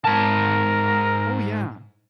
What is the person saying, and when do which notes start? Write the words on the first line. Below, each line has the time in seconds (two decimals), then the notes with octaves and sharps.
Oh, yeah,
0.05 G#2 A#4 A5